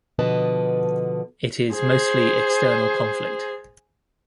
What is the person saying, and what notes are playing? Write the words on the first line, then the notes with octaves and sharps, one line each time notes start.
It is mostly external conflict.
B2 D3 F3 B4 D#5 A5
G#4 C5